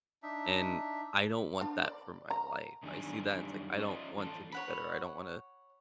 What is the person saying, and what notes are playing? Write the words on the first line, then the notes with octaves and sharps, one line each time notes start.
and I don't want that for my life, I see that and it's like, I don't want to be bitter. I don't wanna
D4 D#4 E5
D4
D5
A#5
F#2 D#3 G3 D4 G4 G#5
C#4 F4 A4 D5 D#5
F2 E3 A4
C#5 F#5 B5